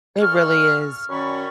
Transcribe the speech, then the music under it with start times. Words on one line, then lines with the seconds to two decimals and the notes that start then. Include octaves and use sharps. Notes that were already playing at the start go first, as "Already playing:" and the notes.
It really is.
0.21 A#2 A4 C#6 F6
1.09 F#2 D#3 C#4 D5 B5 C#6